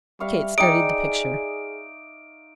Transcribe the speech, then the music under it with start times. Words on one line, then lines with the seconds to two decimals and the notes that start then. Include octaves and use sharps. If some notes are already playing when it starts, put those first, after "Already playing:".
Kate studied the picture.
0.20 G3 E5 F5 C#6
0.58 D#4 G#4 D5 G5 D#6 D7